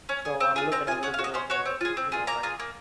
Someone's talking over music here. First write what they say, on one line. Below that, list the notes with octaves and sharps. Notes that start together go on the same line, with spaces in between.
so I'm looking a little bit over, you know, like,
C#4
G#4
C4
F4 G#4
C4 A#5
F4 G#4 G#5
C#4 F#5
F5
F#4
D#5
C#4 C5
F#4 C#5
C4
F4 G#4
C4
F4 G#4
A#3 A#5
F4 G#4
A#3